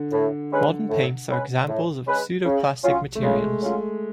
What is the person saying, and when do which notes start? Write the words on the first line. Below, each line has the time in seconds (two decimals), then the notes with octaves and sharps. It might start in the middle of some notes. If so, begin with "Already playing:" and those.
Modern paints are examples of pseudoplastic materials.
Already playing: D3
0.12 A2
0.51 G#3 C#4 G#4 B4
0.90 A2
1.28 G#3 C#4 G#4 B4
1.67 A2
2.07 G#3 C#4 G#4 B4
2.45 C#3
2.84 F#3 C#4 F4
3.15 A3
3.22 C#3 G#3
3.62 F#3 C#4 F4